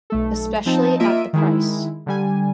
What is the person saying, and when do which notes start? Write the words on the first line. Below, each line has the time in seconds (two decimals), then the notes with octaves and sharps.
Especially at the price.
0.10 B1 A3 A4
0.66 F3 C4 D#4 A5
1.00 A#3 F4 D#5 E5 D7 D#7
1.33 D#3 G#3 E4
2.06 D3 G3 G#5